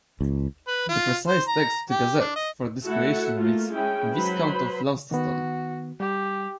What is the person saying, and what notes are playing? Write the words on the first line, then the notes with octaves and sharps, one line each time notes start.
The precise text of the Gazette, for this creation reads "Viscount of Launceston".
C#2
B4
F4
C5
A#5
G4
D4
D#5
A3 E4 F#4 A4 E5 F#5
A3 A#3 F4
G#3 C#4 E4 G5
F#3 B4 C5 B5 C6
D#3 B3 F#4
G3 G4